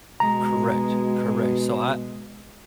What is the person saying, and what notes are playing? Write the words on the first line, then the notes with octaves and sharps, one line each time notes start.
Correct. Correct. So I
B2 G#3 A#5